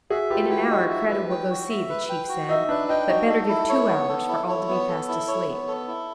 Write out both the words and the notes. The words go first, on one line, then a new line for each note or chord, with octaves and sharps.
"In an hour Kreta will go see," the chief said; "but better give two hours for all to be fast asleep."
F#4 G#4 E5
F4 G4 B4
E4 F#4 G5
D#4 F4 F#4
E5
B4
G5
F#4
E5
B4
G5
F#4
D#4 E5
D4 B4
D#4 G5
D#4 F#4
D#4 A4
E4
C#5
B3
A4
E4
C#5
B3
A4
E4
C#5
B3
A4
E4